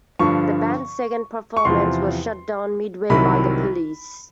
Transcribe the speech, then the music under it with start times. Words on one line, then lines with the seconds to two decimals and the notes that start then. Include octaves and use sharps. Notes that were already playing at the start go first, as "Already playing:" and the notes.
The band's second performance was shut down midway by the police.
0.19 G2 D3 F3 C#6
1.57 C#6
1.65 E2 C3 F3 C6
3.10 C2 C3 D#3 F#3 B5